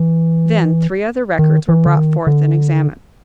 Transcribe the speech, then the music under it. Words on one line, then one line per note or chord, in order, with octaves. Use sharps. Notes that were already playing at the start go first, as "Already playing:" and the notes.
Then three other records were brought forth and examined.
Already playing: E3
D#3
E3
D3
D#3
D3